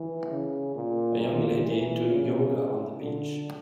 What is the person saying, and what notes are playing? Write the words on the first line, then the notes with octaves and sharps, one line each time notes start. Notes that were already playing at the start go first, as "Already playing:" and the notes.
A young lady doing yoga on the beach.
Already playing: E3
C#3
A#2
A#2
E3
C#3
D3